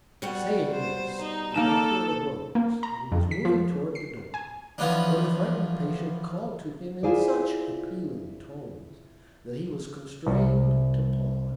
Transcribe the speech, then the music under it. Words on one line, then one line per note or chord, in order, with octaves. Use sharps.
Saying this, the doctor arose, and was moving towards the door, when the frightened patient called to him in such appealing tones, that he was constrained to pause.
B2 G3 F#5
C5
D#4
A#3 D#4 A4 E7
A#3
A#5
F2
B6
F3
C7
G#5
E3 F3 B3 C#4 D4
E4 F4 G#4 C5 D5
C2